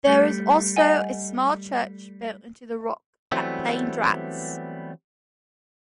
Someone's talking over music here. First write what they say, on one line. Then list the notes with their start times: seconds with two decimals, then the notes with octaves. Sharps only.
There is also a small church built into the rock at Plaine Dranse.
0.07 G3 A3
0.76 D#5 F#5 G#5
3.32 E3 F#3 G3 A3 B3 C4